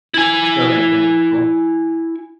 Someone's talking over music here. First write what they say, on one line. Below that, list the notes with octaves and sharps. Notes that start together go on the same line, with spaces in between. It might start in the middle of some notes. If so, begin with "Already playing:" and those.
Okay, good, cool.
E4 G#5